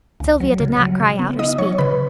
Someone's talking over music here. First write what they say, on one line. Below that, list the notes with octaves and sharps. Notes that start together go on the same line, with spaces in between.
Sylvia did not cry out or speak.
C#2
F#3
C#3
F#3
C#3
B3
D#4 D#5 D#6
F#3 C#5 C#6
C#3 B4 B5